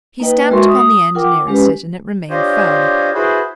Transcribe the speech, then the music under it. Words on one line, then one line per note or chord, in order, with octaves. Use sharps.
He stamped upon the end nearest and it remained firm.
A#3 D#4 B4 D#5 G5
G#3 F#4 A#4 E5 C6 C#6
D#6
F4 A#4 F#5 G5 D6
G#3 C#4 G4 B4
D4 F4 G4 C5 C#5 D#5
E4 F#4 G#4 B4 C5